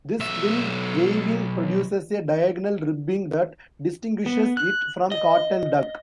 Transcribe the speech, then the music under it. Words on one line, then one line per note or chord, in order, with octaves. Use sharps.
This twill weaving produces a diagonal ribbing that distinguishes it from cotton duck.
B1 E5
B3
F#6
D#5